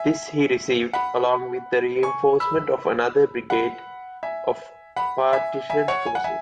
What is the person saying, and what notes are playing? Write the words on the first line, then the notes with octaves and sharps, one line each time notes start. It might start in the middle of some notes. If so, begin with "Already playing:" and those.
This he received, along with the reinforcement of another brigade of Partisan forces.
Already playing: E5 G#5
F#5 B5
G#5 C#6
B5 E6
F#5 B5
E5 G#5
F#5 B5
E5 G#5
E5 G#5
C#5 F#5
G#5
F#5
E5 G#5